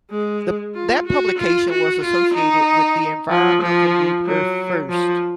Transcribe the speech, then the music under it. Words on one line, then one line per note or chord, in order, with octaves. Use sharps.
That publication was associated with the environmental group Earth First!
G#3
F4
F#4
F4
F#4
F4
D#4
F3
F3
F#3
F3